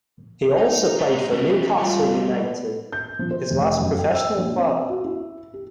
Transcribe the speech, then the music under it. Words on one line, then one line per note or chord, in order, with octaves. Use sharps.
He also played for Newcastle United, his last professional club.
D#4
G#3 C5 D#5
E3 G#3 B3 C#4
G3 A3 F4 C#5
B3
G6
F3
C5
F1
F#2
G5
E6
A#1
C4
F#4
E4
G4